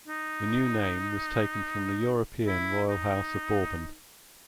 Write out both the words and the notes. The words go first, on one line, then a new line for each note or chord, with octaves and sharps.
The new name was taken from the European royal House of Bourbon.
D#4
E4
D#4